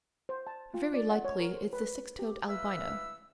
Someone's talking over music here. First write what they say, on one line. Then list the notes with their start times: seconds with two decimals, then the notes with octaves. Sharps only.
Very likely it's the six-toed albino.
0.29 C5
0.47 A5
0.74 F4
0.94 D5
1.10 F#5
1.25 C#5
1.40 A#4
1.53 C5
1.73 B4
2.19 G4
2.48 E4 B4 F5 E6